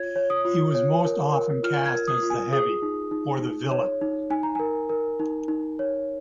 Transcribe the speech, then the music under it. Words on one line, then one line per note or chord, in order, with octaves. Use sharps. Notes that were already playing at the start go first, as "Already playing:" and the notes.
He was most often cast as "the heavy" or the villain.
Already playing: F4 C#5 G#6
C#5
D#6
F4
C#5
A#4
A#4
F4 F6
G#6
A#4
D#6
F4
G#5
G#4 D#6
D#4
D#4
D#4
C#5
D#4
D#4 G#5
A#5
A#4 G#5
A#4
D#4
D#4
C#5